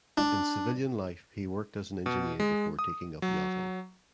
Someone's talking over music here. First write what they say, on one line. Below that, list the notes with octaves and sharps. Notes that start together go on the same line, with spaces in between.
In civilian life he worked as an engineer before taking up yachting.
D4
B2
G#3
D#6
F#3